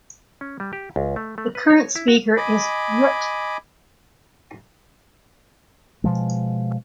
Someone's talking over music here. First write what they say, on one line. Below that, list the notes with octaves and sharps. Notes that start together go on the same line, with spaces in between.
The current Speaker is Rt.
C#4
G3
G4
C#2
A3
A3
B4
C#5
E4
F#4
D#5 G#5 B5 D6
B2 F3 G#3